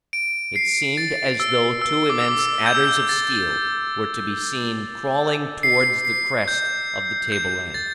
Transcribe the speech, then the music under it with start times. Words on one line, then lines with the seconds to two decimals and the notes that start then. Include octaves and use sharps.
It seemed as though two immense adders of steel were to be seen crawling towards the crest of the table-land.
0.13 D7
0.56 C7
0.97 A6
1.40 E6
1.81 E6
2.10 D6
2.19 E6
2.28 D6
2.39 E6
2.66 G6
2.75 E6
2.84 G6
3.09 A6
5.63 C7
6.05 C7
6.48 G6
7.32 G6
7.74 A6